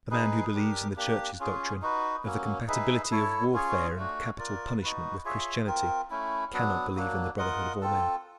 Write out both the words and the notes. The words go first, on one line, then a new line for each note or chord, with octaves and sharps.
The man who believes in the Church's doctrine of the compatibility of warfare and capital punishment with Christianity cannot believe in the brotherhood of all men.
D#4 G#4 B4
D4 G4 A#4
A#3 D4 G4
C#4 F4 G#4
D#4 F#4 B4
F#3 A#3 C#4
D#4 G#4 B4 E5
E4 A4 C#5
C#4 F4 G#4 C#5
A3 D4 F#4
F4 A#4 D5
D#4 F#4 B4
F4 G#4 C#5 E5
C4 F4 A#4
A3 C#4 E4
F#3 B3 D4
F#3 A#3 D4
F4 A#4 D#5 F#5
C4 F4 A4